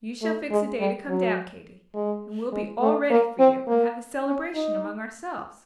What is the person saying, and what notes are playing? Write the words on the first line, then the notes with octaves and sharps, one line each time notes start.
You shall fix a day to come down, Katy, and we'll be all ready for you, and have a 'celebration' among ourselves.
A3
G#3
G3
F#3
G#3
G#3
A3
A#3
C4
A#3
C#4
D#4